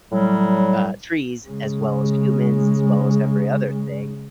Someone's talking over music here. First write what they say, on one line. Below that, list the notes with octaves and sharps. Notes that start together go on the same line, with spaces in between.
uh, trees as well as humans, as well as every other thing.
A2 F#3 G3
C#3 G#3